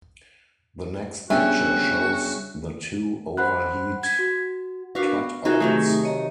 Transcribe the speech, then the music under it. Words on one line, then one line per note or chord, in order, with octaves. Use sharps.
The next picture shows the two overheat cutouts.
C#3 G3 B3 D4 F#4 E5 G5 G#5
C5 F#5 B5 F#6
G#6 B6
F#4
D4 F#4 A#4 B4 F5
B3
D#4 F4 F#4 G#4 A#4 E5
C3 D#3 F#3 A3 D#4 G#4
C#5 D#5 A#5